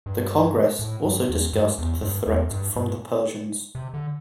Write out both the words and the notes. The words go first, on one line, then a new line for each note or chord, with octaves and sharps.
The Congress also discussed the threat from the Persians.
G2
A2
G2
E2
G2
E2
G2
E2
G2
G2
C3
D3